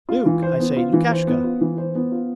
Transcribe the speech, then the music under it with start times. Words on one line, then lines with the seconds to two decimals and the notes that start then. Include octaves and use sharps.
'Luke, I say, Lukashka!
0.09 F4
0.26 E3
0.43 C5
0.59 B3
0.77 F4
0.93 E3
1.11 C5
1.27 B3
1.44 F4
1.61 E3
1.78 C5
1.95 B3
2.12 F4